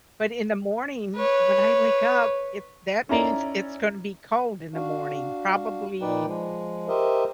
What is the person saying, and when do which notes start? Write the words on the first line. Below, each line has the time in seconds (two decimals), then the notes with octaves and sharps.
but in the morning, when I wake up, it that means it's gonna be cold in the morning, probably
1.16 B4 C#5
3.09 C#4 D#4 E4 A4 D5 A#5
4.74 D4 F#4 F5
6.01 A#2 D#4 B4 D5 G5
6.26 F3 G#3
6.88 G4 A#4 C5 D#5 E5